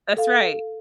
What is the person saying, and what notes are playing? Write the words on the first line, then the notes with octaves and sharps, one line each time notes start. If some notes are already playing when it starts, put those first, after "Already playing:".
That's right.
A4 F5